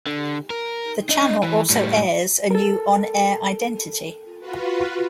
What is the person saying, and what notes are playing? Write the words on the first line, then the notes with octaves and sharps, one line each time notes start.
The channel also airs a new on-air identity.
D3
A#4
D4 D#5
E3
A2 G3
A4 A#4
F4 F#4 B4